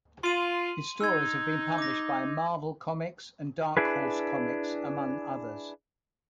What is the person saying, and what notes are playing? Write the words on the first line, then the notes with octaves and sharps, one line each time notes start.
His stories have been published by Marvel Comics and Dark Horse Comics, among others.
F4 C6 D#7 F#7
D#4 E6 G#6
D6 A#6
D4 E4 G#4 B4